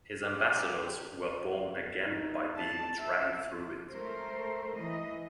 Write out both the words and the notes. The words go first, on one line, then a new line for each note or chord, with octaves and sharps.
His ambassadors were born again by being dragged through it.
G4
D#4
A5
E5
A3 A#4 C5
E3 D#5